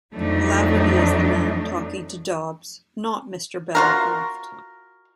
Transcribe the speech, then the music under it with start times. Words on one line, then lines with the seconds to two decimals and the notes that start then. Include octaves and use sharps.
Laverty is the man talking to Dobbs, not Mr. Bancroft.
0.13 F2 F#3 A3 D4 D#4
3.75 F4 F#4 A#4